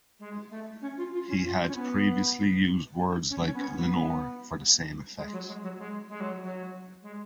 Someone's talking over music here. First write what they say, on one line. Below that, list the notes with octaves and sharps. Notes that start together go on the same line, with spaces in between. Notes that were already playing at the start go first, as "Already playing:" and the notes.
He had previously used words like "Lenore" for the same effect.
G#3
A3
C#4
F4
F4
C#4
F4
C#4
B3
C#4
C#4
B3
C#4
B3
G#3
F#3
G#3
F#3
G#3
G#3
F#3
F#3
G#3